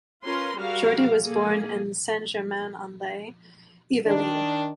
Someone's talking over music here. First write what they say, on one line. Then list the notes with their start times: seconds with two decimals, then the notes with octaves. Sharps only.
Jordy was born in Saint-Germain-en-Laye, Yvelines.
0.24 C#4 F4 A#4 B4 C6
0.58 G3 F#4 G#4 A#4 F5
1.24 A#3 G#4 A4
4.06 D#3 D4